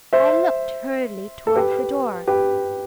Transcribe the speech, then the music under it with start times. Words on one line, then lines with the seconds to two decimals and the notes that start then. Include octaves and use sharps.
I looked hurriedly towards the door.
0.13 C5 E5
1.47 A4
1.56 G4 B4
2.28 G4 B4